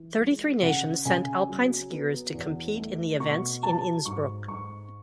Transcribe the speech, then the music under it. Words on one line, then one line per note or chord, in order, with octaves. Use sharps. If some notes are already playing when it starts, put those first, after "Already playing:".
Thirty-three nations sent alpine skiers to compete in the events in Innsbruck.
Already playing: E3
G#3
C#3 F#5
C#3 G#5
F#3
B3
E2
A3
B2 C#6
F#3 A5
G#2 C#6
G#2 C#6